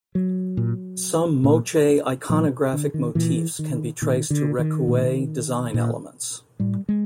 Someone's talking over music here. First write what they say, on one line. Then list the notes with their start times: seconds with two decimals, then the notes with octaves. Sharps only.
Some Moche iconographic motifs can be traced to Recuay design elements.
0.15 F#3
0.57 A#2
1.44 A#2
2.29 A#2 F3
2.73 D3
2.94 D#3
3.15 A#2 E3
3.59 D#3
4.02 A#2 D#3
4.30 D3
4.59 D#3
4.88 A#2
5.74 A#2
6.60 A2 G3
6.89 G#3